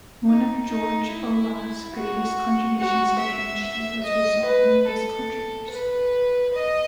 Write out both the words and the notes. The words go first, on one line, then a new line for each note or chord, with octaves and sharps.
One of George Olah's greatest contributions to chemistry was resolving this controversy.
D#4
D#4
E4
F#4
F#4
E5
D#5
B4
A4
B4
D#5